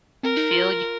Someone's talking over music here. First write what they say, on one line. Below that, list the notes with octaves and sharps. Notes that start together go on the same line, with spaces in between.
feel you
C4 A#4
D#4
F4